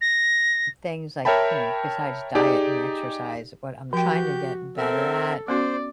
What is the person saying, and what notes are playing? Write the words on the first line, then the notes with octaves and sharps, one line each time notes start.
things, like, you know, besides diet and exercise, what I'm trying to get better at
A#6
A#4 C#5 E5 G5 A5 B5
D#4 G4 G#4 D5
F3 F#4 G4 G5 G6
C4 A4 A#4 E5
B3 C#4 F#4 C5 D5